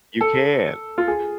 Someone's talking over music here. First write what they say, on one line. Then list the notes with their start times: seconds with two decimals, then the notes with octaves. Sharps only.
You can.
0.21 A4
0.98 F4
1.08 G#4